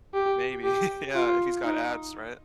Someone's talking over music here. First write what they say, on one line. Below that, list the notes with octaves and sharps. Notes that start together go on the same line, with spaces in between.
Maybe, yeah, if he's got ads, right?
G4
G4
F4
D#4